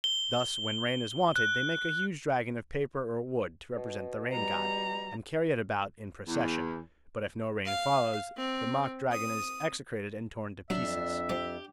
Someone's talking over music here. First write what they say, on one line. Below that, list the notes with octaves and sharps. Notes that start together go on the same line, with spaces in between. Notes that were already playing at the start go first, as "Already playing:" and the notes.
Thus, when rain is wanted they make a huge dragon of paper or wood to represent the rain-god, and carry it about in procession; but if no rain follows, the mock-dragon is execrated and torn to pieces.
G7
F#6
B2
G3 A#5
E2
F5
C4
D#6
F2 F#3 D4 F#4 E5
F3 G4 D5